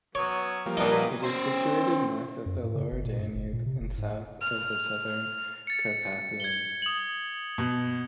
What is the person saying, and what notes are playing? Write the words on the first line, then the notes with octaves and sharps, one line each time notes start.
It is situated north of the Lower Danube and south of the Southern Carpathians.
F#3 B3 C#4 C#5
F3 G3 A#3
A#2 B3 C4 D4 D#4
F#3 A#4 B4
C#4 C5
F#2
A2
C#3
G1
A#2
G2
G1
A#2
C3
F#1
G#2
F6
A6 C#7
G#6 G7
D#6 F#7
B2